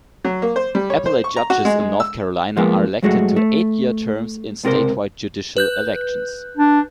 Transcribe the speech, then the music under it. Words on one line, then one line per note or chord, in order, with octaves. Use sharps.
Appellate judges in North Carolina are elected to eight-year terms in statewide judicial elections.
F#3
A#3
C5
G3
C#5
C5
C#6
A#5
F#4
G#3
G#3
E6
F3 G#3 A#3 B3
G2 F#3 G#3 A3 F#4
A3
C#2 C3 F4 A#4 C5
B4 F#6 G6
D4